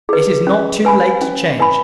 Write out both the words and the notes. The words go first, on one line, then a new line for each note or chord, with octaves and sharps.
It is not too late to change.
G#4 B4
C#4
B4 G#5 B5
C#4
B4 G#5 B5